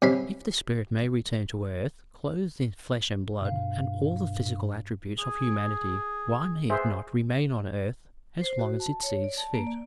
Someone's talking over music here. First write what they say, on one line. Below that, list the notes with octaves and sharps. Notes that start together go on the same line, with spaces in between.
If the spirit may return to earth, clothed in flesh and blood and all the physical attributes of humanity, why may it not remain on earth as long as it sees fit?
C3 C#4 B5 C6
G2 B2 F5
G#4
B3 G#4 C5 E5
C5
F#4
A5
C#5
D5
A5
A#3
D5